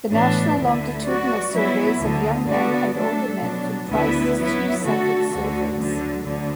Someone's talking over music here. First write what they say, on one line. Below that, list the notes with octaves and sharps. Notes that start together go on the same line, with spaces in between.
The National Longitudinal Surveys of Young Men and Older Men comprises two separate surveys.
A2 E3 B3 D4
D2 D3 A3 E4
F#3 B3 F#4 D5
F#3 B3 E4
D2 D3 A3
D3 B3 F#4 D5
F#3 A3 D4 A4
B2 F#3 D4
D2 D3 B3 E4 B4
F#3 B3 E4
D3 A3 F#4 A4
D2 D3 A3 F#4
D2 D3 F#3
D2 D3